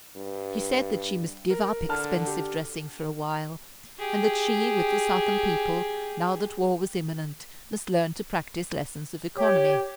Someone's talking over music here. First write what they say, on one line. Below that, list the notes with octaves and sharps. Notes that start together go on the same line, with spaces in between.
She said that she must give up expensive dressing for a while; and that she, with the Southern people, now that war was imminent, must learn to practise lessons of economy.
G2
A#4
D3 A5 F6
G4
G4 G#4
G4 C#5